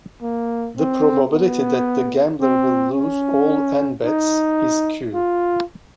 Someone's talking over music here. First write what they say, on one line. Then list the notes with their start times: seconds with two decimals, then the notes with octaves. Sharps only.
The probability that the gambler will lose all "n" bets is "q".
0.22 A#3
0.77 C4
1.32 B3
2.41 C4
2.95 C#4
4.05 D#4
5.14 F4